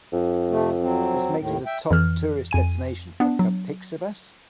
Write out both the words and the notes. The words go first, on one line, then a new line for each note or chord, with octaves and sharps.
This makes it a top tourist destination for Capixabas.
F2
C3 A3
F#3 C4
D#2 A2 D#3
E5 G5
F2 E3 F6
F2 G#5 D#7
B3 D4
F#3